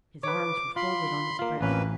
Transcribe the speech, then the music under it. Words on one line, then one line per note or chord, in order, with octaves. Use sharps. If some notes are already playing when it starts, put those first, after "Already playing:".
His arms were folded on his breast.
B4 C#5 D6
F4 B5 C6
A#3 F4
A1 F2 A#3 C#4 B4